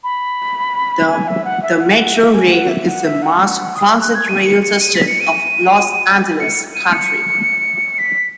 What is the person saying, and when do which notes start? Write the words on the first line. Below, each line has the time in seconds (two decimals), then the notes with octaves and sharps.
The Metro Rail is the mass transit rail system of Los Angeles County.
0.04 B5
1.09 G#5
1.28 E5
1.45 F#5
1.63 E5
1.81 F#5
1.98 F#5
2.16 E5
2.33 G#5
2.51 F#5
2.69 E5
2.87 F#5
3.04 E5
3.22 F#5
3.75 D#6
4.02 F#6
4.15 G#6
4.28 D#7
4.46 C#7
4.63 C#7
4.81 D#7
4.95 B6
5.07 C#7
5.20 D#7
6.40 C#7
6.75 D#7
6.92 C#7
7.99 B6